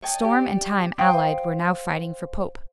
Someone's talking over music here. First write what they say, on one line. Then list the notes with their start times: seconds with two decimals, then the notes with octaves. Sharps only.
The storm and time allied were now fighting for Pope.
0.02 C#5 D#5 G5 A5
0.23 G4 D5
0.98 F4 C5 G5 D#6